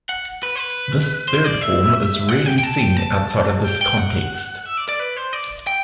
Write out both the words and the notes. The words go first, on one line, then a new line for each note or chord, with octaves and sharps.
This third form is rarely seen outside of this context.
F#5
B4
C5
B4
C5
D5
E5
F#5
G5
G5
A5
G5
A5
G5
G5
F#5
E5
D5
D5
B4
C5
D5
G5